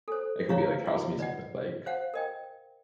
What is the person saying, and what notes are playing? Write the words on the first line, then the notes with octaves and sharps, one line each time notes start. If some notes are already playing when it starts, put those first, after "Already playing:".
It could be, like, house music with, like
A4 C5
E4 C#5 F5 A#5 C#6
E4 F4
B4 D5 D#5 F#5
C5 F5 F#5
A#4 D#5 G5